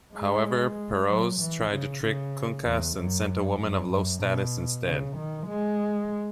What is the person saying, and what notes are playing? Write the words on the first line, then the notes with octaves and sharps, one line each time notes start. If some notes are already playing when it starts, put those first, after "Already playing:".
However, Peroz tried to trick Kunkhas, and sent a woman of low status instead.
G#3
F#3
E3
C#3
C#3
E2
F#2
F#2
F#2
B2
C#3
D#3
G#3